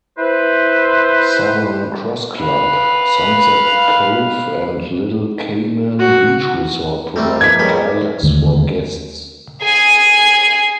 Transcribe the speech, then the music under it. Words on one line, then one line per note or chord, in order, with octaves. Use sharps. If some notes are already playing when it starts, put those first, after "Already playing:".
Southern Cross Club, Sunset Cove and Little Cayman Beach Resort provide kayaks for guests.
E4 B4 C5
B4 F5
F#4
G3 A3 C4 A#4
F3 A#3 B3 G#6 B6
G3 G#3 B3 A#4 C#5
D#2 D3 G#3 A3
G#4 G#5